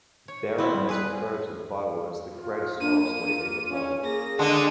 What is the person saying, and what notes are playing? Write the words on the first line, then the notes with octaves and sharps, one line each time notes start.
Barron has referred to the Bible as the greatest horror story ever told.
C#5
B3 C4 E4
G3
G3 G#4 B4
F4
A#3 D4 D#7
F4
C#4
A#3 G#4 A#6
D3 G#3 D#5 D#6